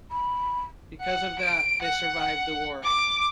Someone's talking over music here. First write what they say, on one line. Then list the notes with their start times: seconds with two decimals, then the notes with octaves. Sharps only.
Because of that, they survived the war.
0.11 B5
1.03 F#5
1.40 D7
1.81 F#5
2.85 D6